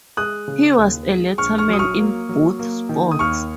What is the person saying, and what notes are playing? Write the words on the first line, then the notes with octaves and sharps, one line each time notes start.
He was a letterman in both sports.
G#3 D#6 F#6
C#3
D#2
G#3
A#1 C#6 F6
C#6 F6
F#3 D#6
C#6 F6
A#3
F#3
A#3
D#3
D#6
D#2 C#6 F6